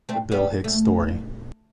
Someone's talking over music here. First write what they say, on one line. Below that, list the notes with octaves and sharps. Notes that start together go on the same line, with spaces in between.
The Bill Hicks Story.
A3 C4
G3 B3
A3